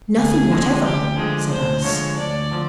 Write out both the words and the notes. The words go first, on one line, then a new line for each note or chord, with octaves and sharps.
'Nothing whatever,' said Alice.
D2 G#4
D3 F3 G#3
D2 G4
D3 F3 G#3 G#4
D2 C5
D3 F3 G#3 C#5
D2 D5
D3 F3